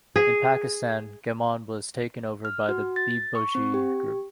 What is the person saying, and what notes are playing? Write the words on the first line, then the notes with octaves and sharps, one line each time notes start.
In Pakistan Gammon was taken over by the Bibojee Group.
G#4
F6
F#4
A6
C#6
C4
G4